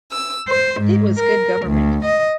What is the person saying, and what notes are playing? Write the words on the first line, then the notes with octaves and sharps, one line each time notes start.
It was good government.
E6
C5
G#2
A#4
D2
D#5